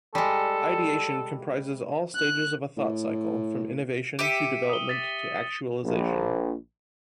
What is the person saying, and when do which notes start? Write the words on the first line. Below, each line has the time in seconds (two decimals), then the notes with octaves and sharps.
Ideation comprises all stages of a thought cycle, from innovation, to development, to actualization.
0.15 G3 G#3 A4
2.16 F#6
2.77 A2
4.19 G4 E5 C#7 D#7 E7
4.69 D#6 G7
4.89 A6 B6
5.84 A#1